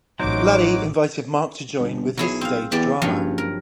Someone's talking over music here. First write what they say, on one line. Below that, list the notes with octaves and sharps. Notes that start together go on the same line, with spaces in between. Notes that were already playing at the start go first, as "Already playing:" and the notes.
Laddie invited Mark to join with his stage drama.
A1 F#3 D#4 C5 D6
G1
B1 F#3 E4 G#4
C4 F5
E2 G4 D5 G5
F#1 G2 F3 F#3
A#4